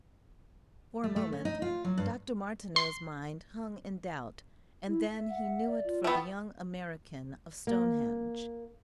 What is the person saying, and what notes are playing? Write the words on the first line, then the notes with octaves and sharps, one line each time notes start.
For a moment Dr. Martineau's mind hung in doubt and then he knew it for the young American of Stonehenge.
A3
A3
C#4
D#4
F4
F#3
G2
C6
E4
E5
F#5
D5
F4
A3 B3 G5
A#3